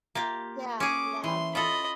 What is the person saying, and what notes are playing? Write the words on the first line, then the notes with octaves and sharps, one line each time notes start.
Yeah, yeah.
A#3 F4 G4
C#4 G#4 D6
E3 C6
F4 A4 D#5 B5